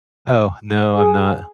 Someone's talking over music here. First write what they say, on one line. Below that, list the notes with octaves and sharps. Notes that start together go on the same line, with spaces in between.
Oh, no, I'm not.
G#4